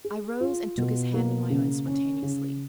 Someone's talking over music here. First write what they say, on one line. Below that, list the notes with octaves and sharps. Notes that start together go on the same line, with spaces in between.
I rose and took his hand in my own spontaneously.
G#4
F4
B2
A#3
C#3
C#4
C#3